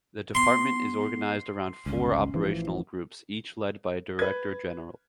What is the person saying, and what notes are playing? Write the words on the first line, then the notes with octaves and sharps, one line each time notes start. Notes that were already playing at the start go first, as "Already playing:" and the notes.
The department is organised around four operational groups, each led by a director general.
B3 C6
G1 C#2 C#4
A1 E3 F3
B4 G#6